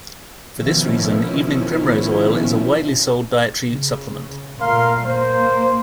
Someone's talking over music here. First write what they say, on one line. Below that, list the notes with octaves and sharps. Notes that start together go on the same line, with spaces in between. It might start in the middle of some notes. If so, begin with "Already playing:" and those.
For this reason evening primrose oil is a widely sold dietary supplement.
B2 D#3 F3 C#4 E4
C#3
A#2 A3 A#4 F5 C6
A#3 C5